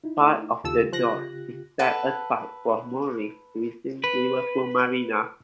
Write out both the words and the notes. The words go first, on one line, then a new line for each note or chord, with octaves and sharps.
Part of the dock is set aside for moorings within Liverpool Marina.
D#4 E4
A3
D#2 C#3 F4 G4 A4 E6
F3 F#6 A#6
A4 B4 F#5
B4